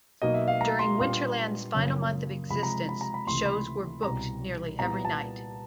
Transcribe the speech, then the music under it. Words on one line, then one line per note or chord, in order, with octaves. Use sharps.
During Winterland's final month of existence, shows were booked nearly every night.
B2 F#3 A#3 D#4 D#5
E5
F5
A#5
C6
A#2 G3 B3 D4 F4
F#2 C#3 F3 A#3 C#4
C3 F3 G#3 B5
A#5
B5
A#5
B5
C#2 C3 E3 A3 C6
B5
C2 B2 G3 A#5
A#2 G3 B3 E4 A#5
A5